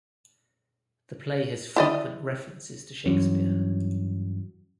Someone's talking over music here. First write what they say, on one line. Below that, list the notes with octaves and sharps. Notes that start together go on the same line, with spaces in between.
The play has frequent references to Shakespeare.
E4 D5 D#5
G2 E3 F#3 C#4